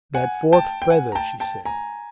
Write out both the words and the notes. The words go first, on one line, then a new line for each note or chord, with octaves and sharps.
"That fourth feather," she said.
F#5 G#5
G5 A5
G5
F#5 G#5
A#5
G5 A5
G5 A5
G#5 A#5